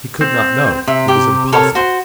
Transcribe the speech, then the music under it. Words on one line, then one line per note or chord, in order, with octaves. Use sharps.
He could not know. It was impossible.
C4
C3 E5
G4
A4 A#4 C#5
F#4 C5